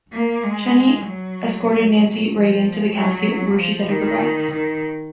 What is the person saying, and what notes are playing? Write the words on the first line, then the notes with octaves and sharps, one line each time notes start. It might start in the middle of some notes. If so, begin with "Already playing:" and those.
Cheney escorted Nancy Reagan to the casket, where she said her goodbyes.
A#3
G#3
F#3
F3
F#3
F3
D#3
D#3